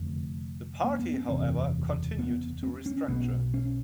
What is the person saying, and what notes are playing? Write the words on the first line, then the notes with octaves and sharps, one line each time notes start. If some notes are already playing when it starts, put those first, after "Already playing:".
The party however, continued to restructure.
Already playing: F1 F2 D3
A#3
B3
C4
F#1 E2 C3 C4
B3
C4
C#4
B1 B2 B3
C#4